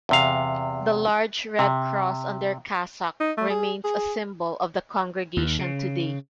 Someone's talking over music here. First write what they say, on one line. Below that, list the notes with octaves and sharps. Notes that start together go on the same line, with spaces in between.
The large, red cross on their cassock remains a symbol of the Congregation today.
E2 C3 F5
C3
D#4
A3
G#4
G#4
D#2
C#3